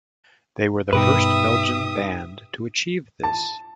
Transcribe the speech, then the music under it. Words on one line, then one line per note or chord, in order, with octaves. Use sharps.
They were the first Belgian band to achieve this.
G2 B2 D#4 G4 B4 E5 D#6
A5